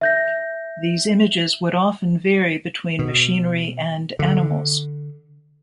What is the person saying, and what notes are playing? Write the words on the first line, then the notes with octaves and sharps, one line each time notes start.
These images would often vary between machinery and animals.
E5 G6 A#6
B2
D3